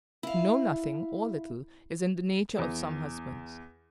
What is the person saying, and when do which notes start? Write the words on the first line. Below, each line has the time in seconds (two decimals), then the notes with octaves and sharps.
To know nothing, or little, is in the nature of some husbands.
0.23 E4 F5
2.58 E2